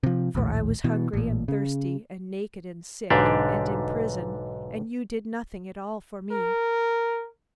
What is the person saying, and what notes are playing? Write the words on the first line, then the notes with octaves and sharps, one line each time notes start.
For I was hungry, and thirsty, and naked, and sick, and in prison, and you did nothing at all for me.'
C3 F3
A#1 D#2 A2
B2 E3
A1 A#2
C#3
B1 G#2 D3 D4 G4 D5
A#4